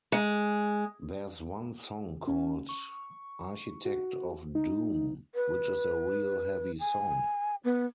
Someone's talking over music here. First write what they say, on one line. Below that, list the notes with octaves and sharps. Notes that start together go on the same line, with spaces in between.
There's one song called 'Architect of Doom', which is a real heavy song.
G#3
C#4
C#6
F#4
D#4
B4
G#5
B3